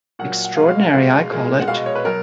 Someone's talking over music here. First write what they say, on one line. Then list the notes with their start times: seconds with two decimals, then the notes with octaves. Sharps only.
Extraordinary, I call it.
0.19 A#2 F#3 F#5
0.45 F#5
0.56 B2 G#3 F5
0.69 F5
0.81 F#5
0.93 B2 G#3 F5
1.31 A#2 G#3
1.60 F#5
1.68 B2 G#3 F5
1.77 D#5
1.86 C#5
1.95 B4
2.05 B2 F#3 A#4